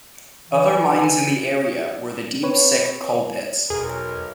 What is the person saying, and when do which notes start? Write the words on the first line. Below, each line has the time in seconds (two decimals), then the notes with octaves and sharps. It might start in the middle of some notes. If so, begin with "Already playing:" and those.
Other mines in the area were the Deep Sick Coal Pits.
0.49 E3
2.43 C4 B4 C#5
3.70 E1 B1 G#4 A#4